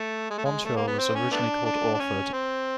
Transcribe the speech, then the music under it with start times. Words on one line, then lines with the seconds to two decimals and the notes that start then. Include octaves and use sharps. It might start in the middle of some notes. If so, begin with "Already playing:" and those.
Montour was originally called Orford.
Already playing: A3
0.30 G#3
0.38 A3
0.45 G#3
0.65 A3
0.76 A#3
0.87 B3
0.99 C4
1.15 C#4
1.32 A3 B3 D4
1.65 D4
1.94 D4
2.00 C#4
2.33 C4